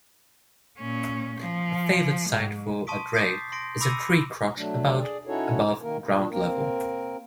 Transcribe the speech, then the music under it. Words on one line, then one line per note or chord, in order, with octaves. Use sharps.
A favoured site for a drey is a tree crotch about above ground level.
A#2 C#4
F3
G#2
A5 C6 C#6 D#6 B6 D7
D6 D#6 G6 A6 B6 C7
C6 A#6 D7
B5 D6 E6 A#6 C#7 D#7
F#3 A3 D4
G#4 D5
C#4 D#4 E4 F#4 A4 C#5
D#3 A#3 A#4
A#2 D4
A#3 C4 A#4